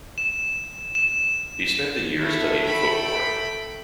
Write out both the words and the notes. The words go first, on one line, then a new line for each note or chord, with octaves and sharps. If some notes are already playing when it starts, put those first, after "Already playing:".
He spent the year studying folklore.
E7
E7
A3 E4 A4
G5 B5